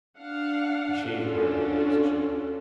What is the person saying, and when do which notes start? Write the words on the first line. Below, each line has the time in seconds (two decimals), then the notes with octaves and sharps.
He shaved warily over his chin.
0.18 D4 F5 F#5
1.09 C#4 D4 F4 F#4 A4